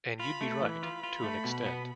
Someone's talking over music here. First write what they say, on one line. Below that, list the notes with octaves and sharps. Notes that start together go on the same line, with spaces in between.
And you'd be right, to an extent.
F4 B5
A3
B5
E3
F4
F4
A3
B2
B3